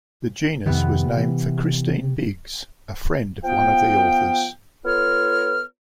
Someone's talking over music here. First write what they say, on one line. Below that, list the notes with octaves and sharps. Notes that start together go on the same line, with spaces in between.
The genus was named for Christine Biggs, a friend of one of the authors.
F2 C3 D#3 B3
E3
F3 B3 F5 G5
B3 F4 A4 C#5 F6